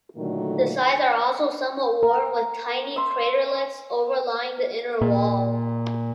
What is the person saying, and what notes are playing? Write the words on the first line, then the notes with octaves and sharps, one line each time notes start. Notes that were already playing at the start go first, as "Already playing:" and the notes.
The sides are also somewhat worn, with some tiny craterlets overlying the inner wall.
A#2 D3 D#3 F#3 A3 A#3
A#4
E5 C6
A#2